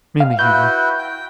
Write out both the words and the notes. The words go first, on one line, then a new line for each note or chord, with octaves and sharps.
mainly humor.
F5
E4 F#4 B4 G6
G5